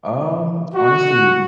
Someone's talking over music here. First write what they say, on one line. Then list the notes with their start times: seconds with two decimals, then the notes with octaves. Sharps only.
Um, honestly
0.75 F#4